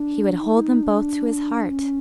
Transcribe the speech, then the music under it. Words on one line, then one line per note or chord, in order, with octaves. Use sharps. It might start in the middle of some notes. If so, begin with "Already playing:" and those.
He would hold them both to his heart.
Already playing: D4
D#4
E4
D#4
D4
C#4